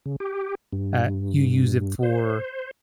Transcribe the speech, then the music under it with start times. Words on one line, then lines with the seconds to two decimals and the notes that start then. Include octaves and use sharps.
uh, you use it for
0.06 C#3
0.20 G4
0.73 G2
2.03 C5